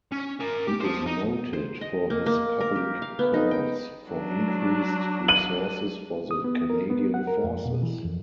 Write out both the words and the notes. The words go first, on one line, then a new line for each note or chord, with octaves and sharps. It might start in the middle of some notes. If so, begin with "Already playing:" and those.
He is noted for his public calls for increased resources for the Canadian Forces.
C#4
A#4 G#5
G4
C5 A5
D#4
C5
D#5
A#3
A#3
A#4
G4
F5
B3
D#4
G5
F#3 D4
D#7 F#7
D#6
B3
A#4
B3
F#5
A#4
F2
B2
E3
F2